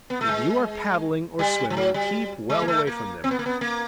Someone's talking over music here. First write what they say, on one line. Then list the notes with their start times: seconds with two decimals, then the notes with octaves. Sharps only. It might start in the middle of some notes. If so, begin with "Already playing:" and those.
If you are paddling or swimming, keep well away from them.
0.10 B3
0.21 A3
0.29 G#3
1.39 G3
1.70 F3
1.77 F#3
1.94 G3
2.50 G#3
2.62 A#3
2.68 A3
2.87 A#3
3.24 C4
3.31 B3
3.39 A#3
3.46 B3
3.61 A#3